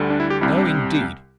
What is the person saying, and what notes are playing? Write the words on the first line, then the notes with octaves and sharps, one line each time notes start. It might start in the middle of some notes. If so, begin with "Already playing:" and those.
No, indeed.
Already playing: D2 D3 G3
D4
E4
G4
C2 C3 G3 E4
D4